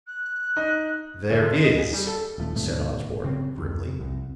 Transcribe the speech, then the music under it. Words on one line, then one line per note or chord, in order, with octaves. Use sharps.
"There is," said Osborne, grimly.
F#6
D#4
D2
F2
D#5
G#4
G3
A4
D#1 F3 A3
D2 G#2 B2 A3
C#3 C4
F2
C2